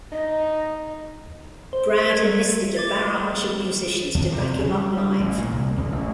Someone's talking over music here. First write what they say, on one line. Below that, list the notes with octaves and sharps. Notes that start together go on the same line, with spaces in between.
Brad enlisted a barrage of musicians to back him up live.
D#4 D#5
C5 G7
A#4 G#6
D6 A6 G7
D#2
C3
C#3
G3
G3
A1
A#2
C2
C#2
A1